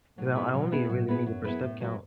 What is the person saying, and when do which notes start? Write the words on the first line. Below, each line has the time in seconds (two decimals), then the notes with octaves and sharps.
'cause I o I only really need it for step count.
0.17 A2 F#3
0.35 B3 E4 G#4 B4
0.54 B2 F#3
0.72 B3 E4 G#4 B4
0.89 A2 F#3
1.08 B3 E4 G#4 B4
1.26 F#2 F#3
1.45 B3 E4 G#4 B4
1.63 A2
1.80 F#3 B3 F#4